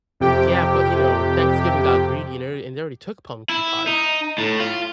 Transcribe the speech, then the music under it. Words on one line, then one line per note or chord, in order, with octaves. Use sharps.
Yeah, but, you know, Thanksgiving got greedy, and r and they already took pumpkin pies.
F2 C3 G4 G5
E4
D#4
A2
F4